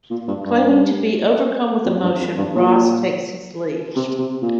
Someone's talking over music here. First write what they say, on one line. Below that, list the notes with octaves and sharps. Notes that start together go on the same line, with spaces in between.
Claiming to be overcome with emotion, Ross takes his leave.
A#2
G2
G2
F2
G2
F2
G2
A#2
C3
C3
A#2